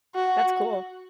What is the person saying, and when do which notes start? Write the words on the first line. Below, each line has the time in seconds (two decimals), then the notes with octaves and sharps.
That's cool.
0.15 F#4